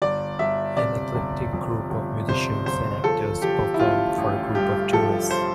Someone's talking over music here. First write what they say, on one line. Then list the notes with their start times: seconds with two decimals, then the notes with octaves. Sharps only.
An eclectic group of musicians and actors perform for a group of tourists.
0.02 G1 D5
0.39 G1 E5
0.77 C3 D5
1.15 G1
1.53 F2
1.90 G1
2.28 C3 C5
2.66 G1 C5
3.04 F3 A4
3.42 F3 G4
3.74 E4
3.79 A1 F4
4.18 A1
4.55 G2 G4
4.93 F3 A4
5.31 C5